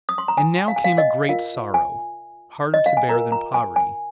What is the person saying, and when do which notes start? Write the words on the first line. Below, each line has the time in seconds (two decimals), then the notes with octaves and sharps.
And now came a great sorrow, harder to bear than poverty.
0.09 D#6
0.18 C6
0.28 A#5
0.38 G#5
0.68 F5
0.76 G#5
0.84 F5
0.98 D#5
1.29 F4 A#4 F5
1.74 G#5
2.74 D#5
2.86 F5
2.97 G#5
3.08 F4 A#4 A#5
3.32 A#5
3.54 G#5
3.76 G#5